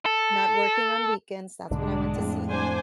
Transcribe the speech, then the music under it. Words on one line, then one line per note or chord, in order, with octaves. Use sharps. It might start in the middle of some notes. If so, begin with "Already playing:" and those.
not working on weekends, that's when I went to see him,
A4
B1 G#2 D3 G#3 D4
F2 A2
D4 C5 G#5